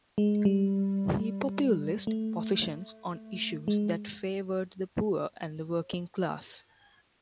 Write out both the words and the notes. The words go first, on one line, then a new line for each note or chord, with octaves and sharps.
He populist positions on issues that favored the poor and the working class.
G#3
G3
A3
G#3